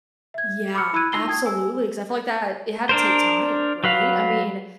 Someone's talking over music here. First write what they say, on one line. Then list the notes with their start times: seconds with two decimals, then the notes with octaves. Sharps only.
Yeah, absolutely, 'cause I feel like that, it had to take time, right? I mean,
0.34 E5 G#6
0.74 B5 D6 E6 F6 C#7
0.93 E4 B5 E6 F#6 G#6 D#7
1.12 D#4 F4 E6 A#6 C7 G7
1.27 G5 A5 D#6 G#6
1.46 G#5 E6
2.89 D4 A#4 C5
3.84 F#3 B4 F5